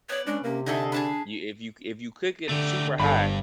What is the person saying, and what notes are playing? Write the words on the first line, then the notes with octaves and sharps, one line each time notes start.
You if you c if you cook it super high,
B3 C#5 D5
G#3 C#4 D4
C3 A#3 C#4
D3 D#4 G#4 A4 E5
D4 G#4 A5 B5
D3 A3 G4
G1 G2 A4 B5